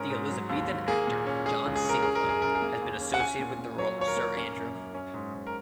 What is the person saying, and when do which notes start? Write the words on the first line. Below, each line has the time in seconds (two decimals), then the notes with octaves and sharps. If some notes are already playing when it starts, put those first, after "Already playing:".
The Elizabethan actor John Sinklo has been associated with the role of Sir Andrew.
Already playing: G#2 C#4 A#4
0.10 G#2
0.30 F#3
0.49 D#2
0.69 D#2
0.88 A#3 G#4
1.07 A#2
1.27 C#4
1.46 G#3 G#4
1.65 C#2
1.76 G#4
1.85 C#4 A#4
2.02 C#4 G#4
2.15 A#4
2.24 F#2
2.29 G#4
2.42 F#2 A#4
2.55 G#4
2.62 A#3
2.81 D#2
3.01 C#4
3.14 F#5
3.20 C#4 G#5
3.39 A#2
3.58 A#2
3.78 F#3 C#5
3.98 D#2 C#5
4.08 A#4
4.17 A#3
4.36 C#4
4.56 F#2
4.75 F#2
4.94 C#4
5.14 G#2
5.34 G#2
5.47 A#4